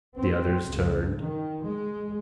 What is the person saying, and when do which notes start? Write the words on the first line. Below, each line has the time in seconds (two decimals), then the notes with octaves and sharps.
The others turned.
0.18 C4
0.66 C#2
1.18 D#3
1.65 G#3